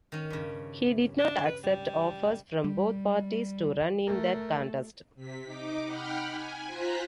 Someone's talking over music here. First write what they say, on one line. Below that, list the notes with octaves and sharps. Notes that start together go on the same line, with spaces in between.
He did not accept offers from both parties to run in that contest.
D#3 C#4
G2 C#3
D4
B4
G3
G3
A3 A#4
C3 B6
D#4 D6
F#5 G5 B5 F6
G#5
F4 C5 A#5 F#6 B6